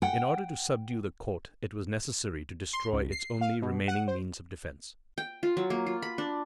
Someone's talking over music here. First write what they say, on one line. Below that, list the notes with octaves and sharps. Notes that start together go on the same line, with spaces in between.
In order to subdue the court, it was necessary to destroy its only remaining means of defence.
F#5 G5
C6
C#2
C7
F5
B2
F#5
C5
G5
F4
F#3
A#3
F4
B5
D4